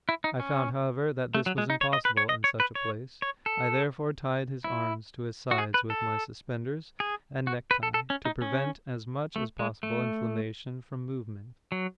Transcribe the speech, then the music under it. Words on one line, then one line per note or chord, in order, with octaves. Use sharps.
I found, however, that this was impossible in such a place. I therefore tied his arms to his sides with my suspenders and necktie, to prevent as much as possible inflammation from movement.
E4
D#4
C#4
A3
F#3
G#3
D#4
C#5
D#5
B4
C#5
D#5
C#5
B4
C#5
C#5
A4
E4
F#4
G#4
B4
A4
G#4
F#4
B4
A4
A4
C#4
D#4
C#4
A3
G#3
A3
F#3